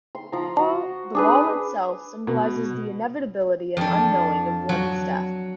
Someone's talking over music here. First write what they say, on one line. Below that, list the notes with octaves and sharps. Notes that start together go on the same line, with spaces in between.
The Wall itself symbolises the inevitability and unknowing of one's death.
C6
F3 A#5
F#4
D4 G#4 B4
B2
F2 D4
F#3